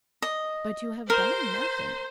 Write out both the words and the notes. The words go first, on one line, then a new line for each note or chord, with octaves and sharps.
'But you have done nothing.'
D#5
A#4 C5